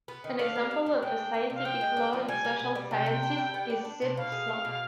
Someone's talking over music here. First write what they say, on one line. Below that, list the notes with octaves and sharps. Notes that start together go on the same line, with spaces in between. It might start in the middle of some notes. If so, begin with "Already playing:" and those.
An example of a scientific law in social sciences is Zipf's law.
B3
D#3
D4 F5
G3
D4
G3
G#3 G5
D4
D4
C3 F5
F3 G5
G#3
D4
F3
G3 G#5
G3
B2
G3
C3 G5
C3
D4
G3
B3
D4
D4
C3
B2 F5
G#3
G#3
B2